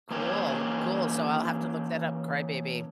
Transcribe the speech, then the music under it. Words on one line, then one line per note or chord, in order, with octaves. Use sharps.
Cool. Cool, so I'll have to look that up, Cry-Baby.
E3 A#3 C#4 G4 A#4 C#5